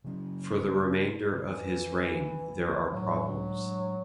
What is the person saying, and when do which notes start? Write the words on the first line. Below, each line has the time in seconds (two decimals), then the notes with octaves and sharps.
For the remainder of his reign there are problems.
0.04 C#3 F#3 C#4
1.48 E3
2.92 A2 F#3 G#3 D4